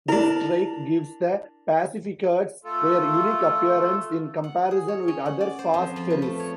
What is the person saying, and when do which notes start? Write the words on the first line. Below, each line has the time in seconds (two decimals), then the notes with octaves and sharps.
This trait gives the PacifiCats their unique appearance in comparison with other fast ferries.
0.09 D4 E4 A#4
2.64 A3 F4 A4
4.44 F#5
4.71 G#4
4.88 C#5
5.08 C#4
5.26 F#5
5.41 D5
5.59 C5
5.74 F2
5.96 F3
6.10 B4
6.22 A3
6.40 C#5